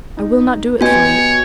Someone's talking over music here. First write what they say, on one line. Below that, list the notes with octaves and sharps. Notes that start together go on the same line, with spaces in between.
"I will not do it, Philip."
D#4
B3 F#4 G4 C#5 D#5 G#5